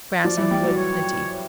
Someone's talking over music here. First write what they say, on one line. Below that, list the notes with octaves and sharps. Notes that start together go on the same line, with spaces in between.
Grass and wood plenty.
F3 D5
E3
G3
F#3
C#5